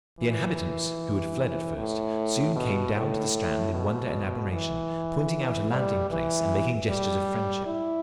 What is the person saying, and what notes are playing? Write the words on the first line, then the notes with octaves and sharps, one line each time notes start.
The inhabitants, who had fled at first, soon came down to the strand in wonder and admiration, pointing out a landing-place, and making gestures of friendship.
E3
A2
B2
A2
B2
E3
G3
E3
G3
E4